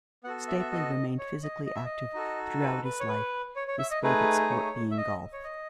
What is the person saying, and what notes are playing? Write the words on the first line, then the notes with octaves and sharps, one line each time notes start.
Stapley remained physically active throughout his life, his favorite sport being golf.
B3 F#4 A4 F#5
E5
E5
D#5
C#5
D#5
D#5
E5
D#5
D#4 F#4 A4
B4
B4
C#5
B4
C#5
C#5
E5
D#5
A3 D#4 G#4 B4
C#5
E5
D#5
C#5
D#5